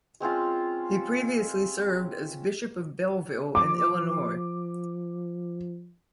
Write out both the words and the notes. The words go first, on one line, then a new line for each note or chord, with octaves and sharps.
He previously served as Bishop of Belleville in Illinois.
G#3 C4 C#4 F4
F3 D6